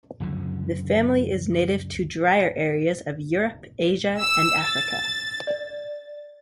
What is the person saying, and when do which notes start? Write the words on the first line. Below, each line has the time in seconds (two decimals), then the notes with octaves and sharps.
The family is native to drier areas of Europe, Asia, and Africa.
0.20 C#2 F#2 D3 F3
4.21 E6
4.62 A6
5.47 D5